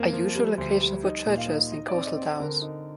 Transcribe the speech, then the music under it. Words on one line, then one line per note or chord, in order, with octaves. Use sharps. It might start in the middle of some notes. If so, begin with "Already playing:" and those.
A usual location for churches in coastal towns.
Already playing: F2 A#3
F3
G3
D2
G3
D#4
A#2
F5
D#4
D#4 D#5
D5
C4
D#5
C4
D3 A#4
D#4